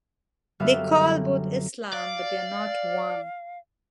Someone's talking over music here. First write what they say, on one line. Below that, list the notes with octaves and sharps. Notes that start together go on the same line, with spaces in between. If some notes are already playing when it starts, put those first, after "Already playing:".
They call both Islam, but they are not one.
F#2 D3 G3 B3 E5 F5
D5 F5